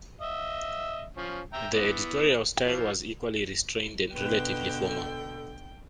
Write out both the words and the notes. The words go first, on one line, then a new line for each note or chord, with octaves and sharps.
The editorial style was equally restrained and relatively formal.
D#5 E5
F3 C#4
E5 G5 A#5
E3 B3
E3 F3
B2 D3 B4 G5
A4